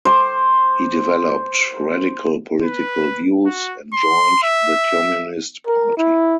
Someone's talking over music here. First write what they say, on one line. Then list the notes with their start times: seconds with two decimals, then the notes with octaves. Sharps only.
He developed radical political views, and joined the Communist Party.
0.05 C5 D6
2.63 B4
3.46 F#4
3.93 C6
4.43 E5
5.67 A#4
5.97 E4